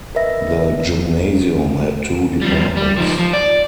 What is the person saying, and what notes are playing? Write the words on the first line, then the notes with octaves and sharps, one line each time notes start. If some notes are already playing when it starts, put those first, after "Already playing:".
The Gymnasium had two departments.
A#4 B4 D#5 E5 A#6
F3 G3
G3
F3 D#4
F3
D5